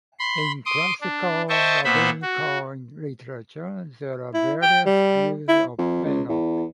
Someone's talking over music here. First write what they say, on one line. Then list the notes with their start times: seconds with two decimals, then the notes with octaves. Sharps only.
In classical Rabbinical literature, there are various views of Enoch.
0.19 B5 C6
0.66 C6 D6 D#6
1.01 D4
1.49 C5 D#5 E5 G5 A5 C#6
1.85 A#2 B3 C5 E5 B5
2.22 F#4
4.34 E4
4.62 G5
4.86 G3
5.48 E4
5.78 F2
6.05 C#2
6.29 E2